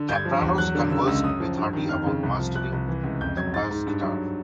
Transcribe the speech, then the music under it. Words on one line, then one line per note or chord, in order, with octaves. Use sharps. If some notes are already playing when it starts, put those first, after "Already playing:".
Kapranos conversed with Hardy about mastering the bass guitar.
Already playing: D3
G2 G6
G#6
F3
E2
F#3 F#6
D3
C#3 E6
C#2 E6
F#2 D#6
F3
G2
D#3
F2 F6
C#3
C2
F3
C2 F#6
C2
E3
C#2
F2 G6
F#3 G#6
G#2 A6
G#2
G2
F#3